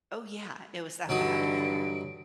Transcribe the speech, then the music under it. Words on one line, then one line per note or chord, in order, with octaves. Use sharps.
Oh, yeah. It was that bad.
G2 D3 E3 F#3 D#4 D#6 D7